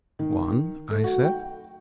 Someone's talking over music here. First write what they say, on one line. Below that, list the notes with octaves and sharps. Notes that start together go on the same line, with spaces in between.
"One," I said.
D#3
A3
F#4
G5